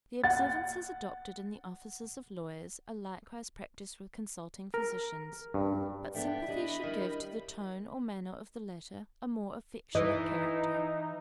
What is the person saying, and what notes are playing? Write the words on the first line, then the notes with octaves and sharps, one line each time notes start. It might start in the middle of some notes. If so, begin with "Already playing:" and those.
The observances adopted in the offices of lawyers, are likewise practised with consulting physicians; but sympathy should give to the tone or manner of the latter a more affectionate character.
F#5 A6
A#4
G2
B3 D4 A4 E5 G5
D4 E4 G4 D#5 B5
D#3 G3
E3 D#4 D#5